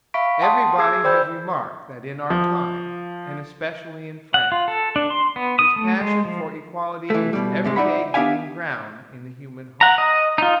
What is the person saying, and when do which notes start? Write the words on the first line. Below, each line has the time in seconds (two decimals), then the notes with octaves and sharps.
Everybody has remarked that in our time, and especially in France, this passion for equality is every day gaining ground in the human heart.
0.14 E5 F5 B5 C#6 B6 D7
0.41 F#5 G5 A5 C6 D#6
0.78 G#4 D6 E6 G#6 C7
1.04 C5 D5 G5 B5 E6 G6
2.30 F3
4.34 F#5
4.52 F4
4.68 A4
4.96 D4
5.10 C6
5.36 B3
5.59 D#6
5.76 A3
6.01 G#3
6.25 F3
7.10 E3 A3
7.33 B2 G3
7.64 G#2 C3 G#3
7.76 D#4 D5 E5 F#5 B5
8.14 B3 D4 G4 E5 F5 G#5
9.81 F#5 A#5
9.98 D#5
10.38 D#4 F4